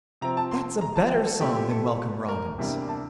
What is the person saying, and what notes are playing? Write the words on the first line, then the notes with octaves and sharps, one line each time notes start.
That's a better song than Welcome Robin's.
C3 F3 C4 A#5
A5
C6
A#5
A5
G5
A4
A#2 A3 C4 G4
G4
A4
A#4
E2 C3 G3 A#3 D4
A5